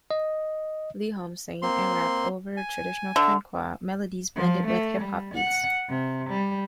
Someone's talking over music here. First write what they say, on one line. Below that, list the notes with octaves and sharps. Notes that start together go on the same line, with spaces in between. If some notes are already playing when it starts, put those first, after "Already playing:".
Lee-Hom sang and rapped over traditional Kunqu melodies blended with hip-hop beats.
D#5
A#3 C4 C6
G#5
D3 E5
F3
A3
G3
F#5
C3
G3